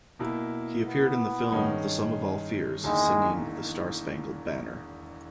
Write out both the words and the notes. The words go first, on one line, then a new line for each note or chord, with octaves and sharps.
He appeared in the film "The Sum of All Fears" singing "The Star-Spangled Banner".
B2 A#3 E4
B3
G2 D#3 G#3 C#4
E1 E2 D#3 G#3 A#3 E4